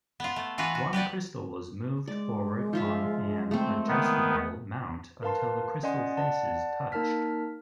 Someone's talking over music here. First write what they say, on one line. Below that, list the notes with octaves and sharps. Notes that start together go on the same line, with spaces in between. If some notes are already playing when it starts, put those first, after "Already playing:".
One crystal was moved forward on an adjustable mount until the crystal faces touched.
B3 F4
A3
E3 F4 F#4 B4
F#4
G4 B4 D5 F#5
G#3 D5
F3 F4 E5
A3 C4
D#3 B3
A#4 B4 F5 A5 C6
C#4 D5 D#5 F#5 G#5 C6
D5 F#5 A5
A#3 D#4 A#4 A5 F6 B6